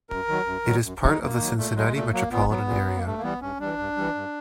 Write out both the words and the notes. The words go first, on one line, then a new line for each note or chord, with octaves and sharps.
It is part of the Cincinnati metropolitan area.
F#2 A#4
D#3 F#3
F#2
D#3 F#3
F#2
D#3 F#3 D#4
F#2 A#3
D#3
F#3
A#2 A3
F#3 G#3
A#2 A3
F#3 A#3
A#2 B3
F#3 B3
A#2
F#3
A#3
G2 A3
A#3
E3 G3 B3
G2 C#4
E3 G3 D4
G2
E3 G3
G2